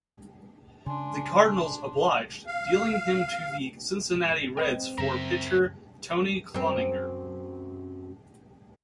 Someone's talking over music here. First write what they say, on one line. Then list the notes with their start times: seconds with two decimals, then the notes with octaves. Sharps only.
The Cardinals obliged, dealing him to the Cincinnati Reds for pitcher Tony Cloninger.
0.86 C#3 D4 G#5 C6
2.47 F5
4.57 C4 B4 D#5 G5
4.98 F#2 C#3 A#4 E5 A#5
6.54 F#2 C4